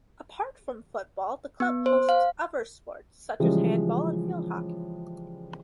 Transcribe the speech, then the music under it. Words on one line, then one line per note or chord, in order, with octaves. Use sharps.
Apart from football, the club hosts other sports such as handball and field hockey.
B3
C5
F5
C#3 E3 F3 G3 G#3